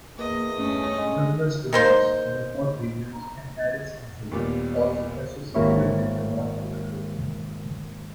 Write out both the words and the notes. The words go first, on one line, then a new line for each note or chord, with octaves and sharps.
Douglas Dundas, Wilmotte Williams and Marie Santry also associated with the Northwood group.
E2 A#3 D#5
G2 A3 C#4
G#3
D#3 A#3 C5
D#2 A#2 G3 B3
G#1 A#3 E4 C#5